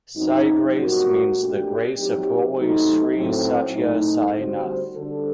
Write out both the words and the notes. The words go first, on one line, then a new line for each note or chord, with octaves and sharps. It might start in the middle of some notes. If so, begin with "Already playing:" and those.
Saigrace means ""The grace of holy Sri Satya Sai Nath"".
F#2 F#3 C4 D#4
A#2 G3 C4 F#4 A#4
A#2 A3 D4 G4
F#3 C4 D#4 G4
C3 F#3 A3 D#4
A2 F#3 C4
A2 A3 D#4
D3 G3 C4 F#4 C5
D3 G3 D4 A4